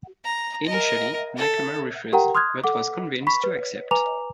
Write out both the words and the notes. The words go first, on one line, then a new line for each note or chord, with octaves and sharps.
Initially, Nakamura refused, but was convinced to accept.
A#5
A#4 D#5
A4
G4 A#4 F#5 G5 A#5
C6 D#6 F6 F#6 G#6
A4 F#5 D6
B5 C#6 B6
B4
B4 G#5 A#5 D6 F7